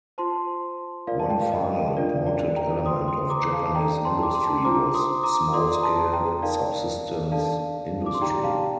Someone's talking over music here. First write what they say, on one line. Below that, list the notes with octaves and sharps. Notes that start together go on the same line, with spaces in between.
One final important element of Japanese industry was small-scale, subsistence industry.
F4 C5 A5 C6
F4 A#4 D5 F5
A5
G5
F5
D#5
D4 F4 A#4 D5
D5
G5 A#5
F4 C5 C6 D#6
C6 D#6
A#5 D6
F5 A5
D#4 A4 D5 G5 A#5
A5 C6
D6
A5 C6
C6
D4 F4 C5 A#5 D6
C6 D#6
A#5 D6
F4 A4 D5 C6 D#6
A#5
A5 C6
G5 A#5
D#4 A#4 D5 F5 A5
D4 A4 D5 F5 A5
D6
C6
D#4 G4 D5 G5 A#5
F5 A5